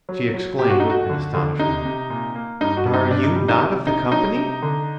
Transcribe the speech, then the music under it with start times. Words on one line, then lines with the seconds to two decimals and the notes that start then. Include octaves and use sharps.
She exclaimed, in astonishment, "Are you not of the Company?"
0.09 F#3
0.34 F#3
0.59 A#2 G4
0.70 F#4
0.80 A3 D#4
0.90 F#4
1.10 D3
1.34 D3
1.59 C3 D#4
1.85 C3
2.10 A#2
2.35 A#3
2.61 G2 D#4
2.77 F#4
2.86 G2
2.93 D#4
3.11 C3 D4
3.23 D#4
3.36 G3
3.48 D#4
3.61 C3
3.86 C3 D#4
4.12 F#3 D#4
4.36 C3
4.62 D3